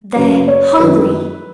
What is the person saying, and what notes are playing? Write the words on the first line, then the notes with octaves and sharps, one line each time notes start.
"They're HUNGRY!"
F#2 C#3 B4
C#5
F#2 D#3 B4